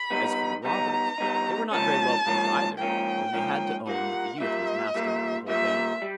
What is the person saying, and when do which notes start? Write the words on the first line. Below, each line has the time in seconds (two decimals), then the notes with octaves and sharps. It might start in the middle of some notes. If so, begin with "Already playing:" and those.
As for the robbers, they were not very well pleased either, when they had to own that the youth was master over the whole band.
Already playing: B5
0.10 G3 B3 D#4
0.65 G3 B3 D#4 A#5
1.18 G3 B3 D#4
1.71 G#2 F3 A#3 C#4 A5
2.26 G#2 F3 A#3 C#4
2.79 G#2 F3 A#3 C#4 G5
3.33 G#2 F3 A#3 C#4
3.87 A#2 G3 A#3 F#5
4.40 A#2 G3 A#3 E5
4.95 A#2 G3 A#3
5.48 A#2 G3 A#3 E5
6.02 G3